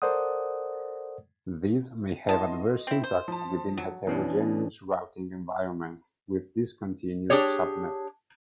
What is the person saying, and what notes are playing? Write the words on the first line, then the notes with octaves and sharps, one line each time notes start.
This may have adverse impact within heterogeneous routing environments with discontiguous subnets.
A4 A#4 C5 D5 F#5 D#6
B3 E4 D#5 A5 C6
C4 E4
C5
F3 A5
F#3
B2 E3 C#4 D4
D4 G4 G#4 C#5